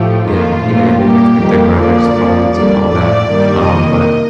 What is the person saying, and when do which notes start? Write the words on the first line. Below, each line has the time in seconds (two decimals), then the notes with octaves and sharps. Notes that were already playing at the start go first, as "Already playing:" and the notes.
Yeah, yeah, yeah, they make, like, the graphics cards, and all that, um, but
Already playing: A2 F3 A3 G4
0.26 F2 D#3 A#3 F4
0.63 A#2 F3 A3
1.01 A#2 G3 A#3 G4
1.38 F2 D#3 G3 A#3
1.76 F2 D3 F3 A#3 D5
2.14 G2 F3 A#3
2.51 F2 D3 G3 A#3 D5
2.89 A2 F3 A3 D5
3.26 G2 D#3 G3 A#3
3.65 C3 D#3 A#3 D#5